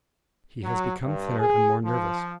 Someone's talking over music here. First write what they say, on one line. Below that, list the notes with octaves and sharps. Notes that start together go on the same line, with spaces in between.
He has become thinner and more nervous.
F#3
G2
G#4
F3